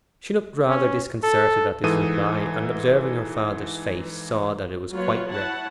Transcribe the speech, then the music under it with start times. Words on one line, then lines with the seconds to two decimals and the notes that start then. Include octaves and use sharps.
She looked rather disconcerted at this reply, and observing her father's face, saw that it was quite red.
0.68 C#4
1.23 A4
1.84 G#2 E3 A4 D#6 D#7
4.93 F#3 A#3 F4 B4 C#5
5.29 E4 C#5 F#5 A5